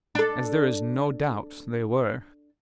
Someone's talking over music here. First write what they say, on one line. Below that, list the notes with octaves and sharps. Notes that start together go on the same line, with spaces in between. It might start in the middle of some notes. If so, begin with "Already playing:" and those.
As there is no doubt they were.
D4 A4